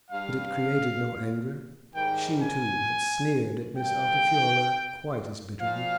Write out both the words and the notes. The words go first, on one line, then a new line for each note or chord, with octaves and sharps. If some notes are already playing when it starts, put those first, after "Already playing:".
But it created no anger. She, too, had sneered at Miss Altifiorla quite as bitterly.
G2 G3 F5
G#2 D#3 G3 G5
G#5
A#2 G3 G5
A#2 F3 F5